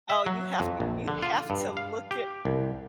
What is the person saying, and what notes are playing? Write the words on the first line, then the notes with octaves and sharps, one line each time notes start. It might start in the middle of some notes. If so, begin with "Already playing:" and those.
Oh, you have to you have to look it
E5
F#3
F2
A#1
D3
F4
G2
F5
G4
C2